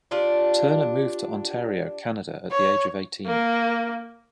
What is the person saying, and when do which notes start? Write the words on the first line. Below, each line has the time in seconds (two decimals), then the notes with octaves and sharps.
Turner moved to Ontario, Canada at the age of eighteen.
0.11 D4 F4 G4
2.51 C#5
3.27 A#3